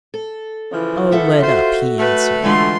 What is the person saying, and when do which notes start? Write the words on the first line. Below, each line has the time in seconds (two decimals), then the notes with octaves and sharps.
"Oh, let up," he answered.
0.14 A4
0.72 C#3 E3 F3
1.11 A4 E5 F#5
1.43 F4 F#4 C5
1.98 A3 B4
2.44 D3 E3 G#3 F4 C6